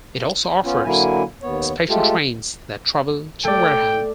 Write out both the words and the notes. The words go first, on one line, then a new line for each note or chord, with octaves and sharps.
It also offers special trains that travel to Wareham.
B3 C#4 F4
D3 F#3 A#3 E4 G#5
D#2 B3 C#5
G#3 A3 F4 G4 A4
A3 D5 G5